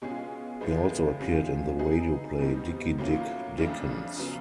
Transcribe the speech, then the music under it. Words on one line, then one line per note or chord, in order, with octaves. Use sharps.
He also appeared in the radio play "Dickie Dick Dickens".
B2 G#3 C#4 F4 G#4
A2 F3 G#3 B3
C3 F3 G#3 C#4 F4
F#3 B3 D#4 G#4
B2 G3 C4 D#4
A2 F#3 A#3 C#4 F4
F2 C#3 F3 A3 D4
C#3 F#3 B3